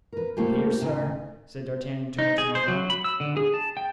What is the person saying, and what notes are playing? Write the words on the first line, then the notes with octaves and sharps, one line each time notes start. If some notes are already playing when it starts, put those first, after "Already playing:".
"You hear, sir," said D'Artagnan, turning to Mordaunt.
A#4 B4
G3 A3 A#3 C4 F4 G4
D2 A2 C#3 D#4 G#5
D#4
G#4
C5
F#3
B5
E6
D3
G#4
A5
G5